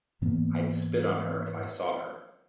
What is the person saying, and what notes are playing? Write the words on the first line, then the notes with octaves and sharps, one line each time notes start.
I'd spit on her if I saw her.
G#2 E3 A#3 B3